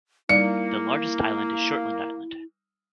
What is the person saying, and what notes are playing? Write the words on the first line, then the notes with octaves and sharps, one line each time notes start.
The largest island is Shortland Island.
G3 A#3 D#4 E4 D5 C#7